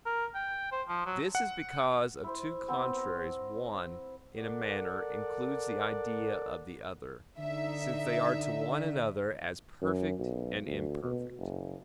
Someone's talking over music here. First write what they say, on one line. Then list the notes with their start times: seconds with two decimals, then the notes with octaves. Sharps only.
This is because of two contraries one, in a manner, includes the idea of the other, since they are to one another as perfect and imperfect.
0.06 A#4
0.35 G5
0.72 C5
0.88 F3
1.06 F#3
1.35 F#5
2.24 E4 C5
2.68 B3 C4
2.97 A#5
4.37 A4 A#4 D5 F#5
7.39 D3 D#4 E5
9.81 F#2
10.19 B1
10.67 D2
11.04 B2
11.39 F#1